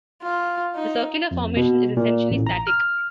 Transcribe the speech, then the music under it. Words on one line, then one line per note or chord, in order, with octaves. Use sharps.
The circular formation is essentially static.
F4
D#4
F2
B2
A#2
A1
A#5
F6